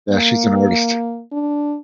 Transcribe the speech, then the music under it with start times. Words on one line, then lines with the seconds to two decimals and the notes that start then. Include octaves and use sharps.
Yeah, she's an artist.
0.11 A#3
1.32 D4